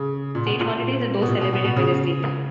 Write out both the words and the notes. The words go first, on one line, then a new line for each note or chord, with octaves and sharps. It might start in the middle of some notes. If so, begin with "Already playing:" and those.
State holidays are those celebrated by the state.
Already playing: C#3
A#2
B2
A#2
B2
A#2
B2
B2
B2
C#3